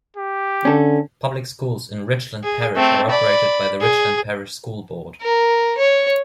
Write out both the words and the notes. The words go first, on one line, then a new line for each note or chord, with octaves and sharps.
Public schools in Richland Parish are operated by the Richland Parish School Board.
G4
D3 C#4 A4
G#4
A3 C4
D5 B5
G#4
A#4
C#5